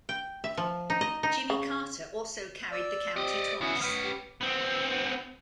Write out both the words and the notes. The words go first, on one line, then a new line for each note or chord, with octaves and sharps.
Jimmy Carter also carried the county twice.
G5
E5
F3
D#4
D#5
D#4
C#3
D5 E6
C4 G4 D5 D#5
C#3 B3 C#4 E4 F#4
C#4 B4 F#5 D#6
G4
B3 C4